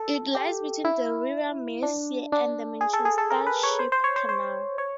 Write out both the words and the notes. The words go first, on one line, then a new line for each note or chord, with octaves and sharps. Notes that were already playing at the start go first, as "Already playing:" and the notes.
It lies between the River Mersey and the Manchester Ship Canal.
Already playing: A4
G4
E4
D4
D4
G#4
A4
G#4
A4
A#4
B4
C#5
C5
C5
C#5
C5
C5
C#5